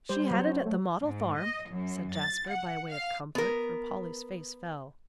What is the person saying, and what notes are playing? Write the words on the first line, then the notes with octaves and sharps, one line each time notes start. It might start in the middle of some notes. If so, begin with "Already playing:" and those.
"She had it at the 'Model Farm,'" said Jasper, by way of comfort, for Polly's face fell.
G3 C5
F#3 C5 C#5
C#4
A3
G#2
D#5
F#2
A6
F#5
F5
B3 A#4